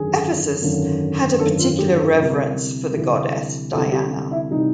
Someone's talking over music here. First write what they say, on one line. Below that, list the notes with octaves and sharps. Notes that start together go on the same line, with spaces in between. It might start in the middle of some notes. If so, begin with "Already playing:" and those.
Ephesus had a particular reverence for the goddess Diana.
Already playing: G#1 F#2 D3 G#4
G#1 F#2 D3
G#1 F#2 D3 A4
F4
G4
A4
D2 C3 E3 G3 A#4
D2 C3 E3 G3
D2 C3 E3 G3 A4
G4
E4
C3 E3 G3 D#4